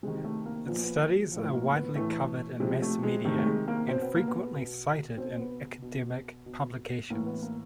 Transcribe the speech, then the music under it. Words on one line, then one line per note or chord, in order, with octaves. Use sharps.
Its studies are widely covered in mass media and frequently cited in academic publications.
C3 D#3 G#3
A3
A#3
A#2 F3 B3
B3
A2 F3
A#3
B3
A2 E3 A3
C3 F3 G#3
A3
G#3
C3 D#3 A3
A3
G#3
A#3
B2 C4
B3
A#3
B3
B2
B2 C4
B3
B2
B2
A2 E3 A#3
B3
A#3